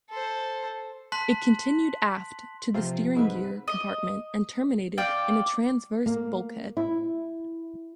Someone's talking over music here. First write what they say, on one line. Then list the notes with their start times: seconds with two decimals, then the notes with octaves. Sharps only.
It continued aft to the steering gear compartment and terminated in a transverse bulkhead.
0.10 A4 C5
1.12 A5 C6 F#6 B6 F#7
2.74 C3 F3 F4 C5
3.16 G#2 B4 E5
3.68 D#5
4.98 D5 F5 G5
6.06 A#3
6.77 E4